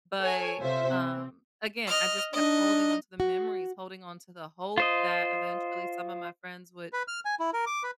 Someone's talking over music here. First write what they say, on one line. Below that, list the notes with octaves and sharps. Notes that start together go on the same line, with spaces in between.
But, um, again, I just kept holding on to the memories, holding on to the hope that eventually some of my friends would,
A4 C#5 G#5
C3 F4 C5 E5
C4
D#5 F6
D4 D#4 D#5
F#4
F4 C5 D#5
B4
F6
G#5
E4
A#4
D6
B4